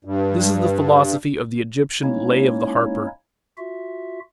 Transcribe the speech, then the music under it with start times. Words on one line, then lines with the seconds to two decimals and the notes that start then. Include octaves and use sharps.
This is the philosophy of the Egyptian "Lay of the Harper".
0.05 G2
2.03 G#3 A#3 C#4 D#4 E4 C#5
3.58 F4 F#4 E5